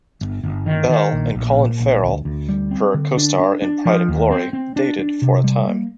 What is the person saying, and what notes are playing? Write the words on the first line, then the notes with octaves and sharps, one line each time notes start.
Bell and Colin Farrell, her co-star in "Pride and Glory," dated for a time.
G1
G1
D#3
D#3
A#1
A#1
A#2
A#1
D2
D2
G3
C4
D3
D4
D4
D4
F3
D#2
C4
C4
D4
D4
C3
G3
A#3